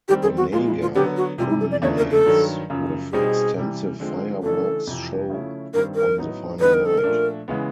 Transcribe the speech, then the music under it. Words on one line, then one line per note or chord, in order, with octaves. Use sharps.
The Nagar culminates with extensive fireworks show on the final night.
D#3 G3 C4 G4
G#4
F#4
A#2 F3 G#3 F4
E4
F4
D3 F#3 B3 G4
F#4
C3 E3 G3 F4
E4
A4
D5
E2 C#3 F3 A3 D4 C#5
A#4
A4
G2 D#3 F#3
F#2 C#3 F3
B2 G3 C4 D#4 G#4
C3 E3 G3
D3 F3 G#3 C4
C#3 E3 A3 D4 A4
F2 C3 E3
C#3 F3 A3 C#4 E4
G2 D#3 G3 C4 A#4
A#4
A2 F#3 B3 D#4
D3 G3 B3 D#4 B4
A#4
A4
A#4
A#2 F3 A3 D4
C#3 E3 G#3 B3